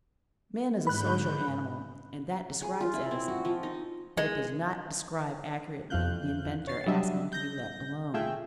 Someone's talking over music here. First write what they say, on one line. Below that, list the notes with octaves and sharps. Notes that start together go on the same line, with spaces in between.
Man is a social animal, and that describes Edison; but it does not describe accurately the inventor asking to be let alone.
G#2 D3 B5 F#6 G6
G#4
F4
E4
C4
F#4
F3
D#4
G#3
F2 E3 F4 F5 F#6 G6
C#5 A6 C7
F#3 G3 D4 D#5 E5
G6 A#6
A3 F4 G#4 E5 G5